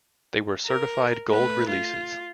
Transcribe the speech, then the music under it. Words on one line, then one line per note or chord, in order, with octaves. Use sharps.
They were certified gold releases.
A#4
A3 B4
F4